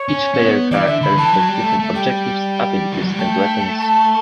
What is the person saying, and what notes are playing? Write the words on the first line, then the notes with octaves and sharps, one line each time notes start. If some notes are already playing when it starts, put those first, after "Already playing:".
Each player character has different objectives, abilities, and weapons.
Already playing: C#5
C#4
C#4
B3
E3 D5
D3 E5
D3 B5
E3 A5
F#3
G3
A3
A3
G3 G5
E3
F#3
G3
A3 G5
A5